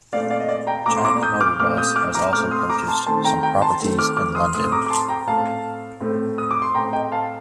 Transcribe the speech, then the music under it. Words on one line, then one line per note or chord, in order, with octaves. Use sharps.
China Motor Bus has also purchased some properties in London.
A#2 A3 C4 D5 F5
D5 F5
D#5
D5
G5 A#5
A#2 A3 C4 A#5 D6
C6
A#5 D6
D#6 G6
D6 F6
A#2 A3 C4 D6 F6
D#6 G6
D6 F6
A#5 D6
A#2 A3 C4 D6 F6
C6 D#6
A#5 D6
A5 C6
D#3 A3 C4 A5 C6
G5 A#5
G5 A#5
A5 C6
D#3 A3 C4
D6 F6
D6 F6
C6 D#6
A2 A3 C4 C6 D#6
D#6
A#5 D6
D6
A5 C6
G5 A#5
A2 A3 C4 F5 A5
A2 A3 C4
D#6
D6
C6
A2 A3 C4 G5 A#5
D#5 G5
F5 A5